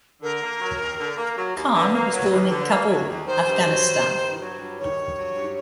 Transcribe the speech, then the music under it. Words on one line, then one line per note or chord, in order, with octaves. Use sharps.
Khan was born in Kabul, Afghanistan.
D3 A#4
A#3
F#3
D#2
D3
A#3
F#3
D#2
D3 B4
A#3
F#3
D#2
D3
A#3
F#3
D#2
D#3 C5
G2
F#3
G2
D#3
G2
F#3
G2
D#3 C#5
G2
F#3
G2